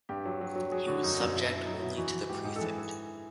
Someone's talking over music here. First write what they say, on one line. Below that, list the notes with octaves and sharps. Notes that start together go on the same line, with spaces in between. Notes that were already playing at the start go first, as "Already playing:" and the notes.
He was subject only to the prefect.
G2 G4
F#3
F#3
F#3
F#3 G#4
D3 F#4
F#2 D#4
F#2
B2 E4
B2 E4
F#3 D#4
B2 E4
E3 F#4
E3
G#2 G4
G#2 G#4
A4
E3 G#4